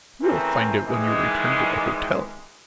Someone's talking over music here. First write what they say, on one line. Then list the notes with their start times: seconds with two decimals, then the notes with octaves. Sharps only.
You will find it when you return to the hotel.
0.21 C#3 E3 A3 C4 A#4
0.85 D#3 E3 G3 G#3